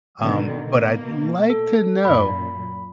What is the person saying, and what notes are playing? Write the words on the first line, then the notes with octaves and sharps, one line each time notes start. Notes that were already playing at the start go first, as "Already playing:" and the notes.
um, but I'd like to know
B2 D3 D#3
B2 A#3
A4
F#2 A#2 B5